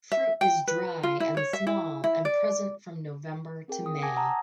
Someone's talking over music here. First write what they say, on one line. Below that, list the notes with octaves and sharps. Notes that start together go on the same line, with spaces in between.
Fruit is dry and small and present from November to May.
E5
G5
B4
F4
E4
C#5
E5
E4
E4
D5
C4 G#4 A#4 G5
D#6
F#5 G#5 A5 D6 G#6 A#6
F#5 A5 A#5 D#6 E6